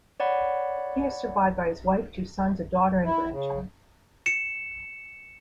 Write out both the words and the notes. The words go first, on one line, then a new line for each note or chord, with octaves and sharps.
He is survived by his wife, two sons, a daughter and grandchild.
C#5 D5 F#5 B5
E4
C#3
C#7 E7